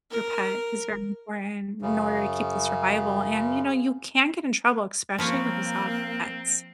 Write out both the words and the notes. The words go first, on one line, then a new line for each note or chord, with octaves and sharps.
your pet is very important in order to keep the survival, and you know, you can get in trouble, especially with exotic pets,
A#4
F#2 C#3
F3 A#3 C4 B4 C#5